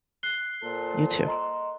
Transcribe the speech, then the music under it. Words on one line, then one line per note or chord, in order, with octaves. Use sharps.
You too.
F#6 C7 G7
A#2 A4 C5
D#5 A#5 C6